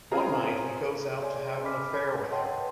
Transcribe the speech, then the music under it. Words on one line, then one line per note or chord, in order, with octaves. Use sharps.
One night, he goes out to have an affair with her.
C4 C#4 F4 G#4 C#5 A#5
G#4 C#5 D5 G#5 C6
C#4 D#5 B5 D6 F6 B6
C#5 D#5 F#5 G5 A5 C6
B4